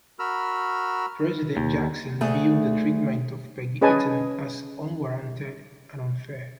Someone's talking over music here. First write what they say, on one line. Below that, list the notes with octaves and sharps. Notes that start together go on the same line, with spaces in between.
President Jackson viewed the treatment of Peggy Eaton as unwarranted and unfair.
F#4 A#4 B5 E6 F6
D#2
D2 A3 G#4
C#4 G#4 B4 D#5 G#5 A5